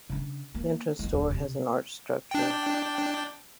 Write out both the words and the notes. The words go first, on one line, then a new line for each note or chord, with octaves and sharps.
The entrance door has an arched structure.
C#3 D4
A#3
A#3 B3
D1
C3
D4 G5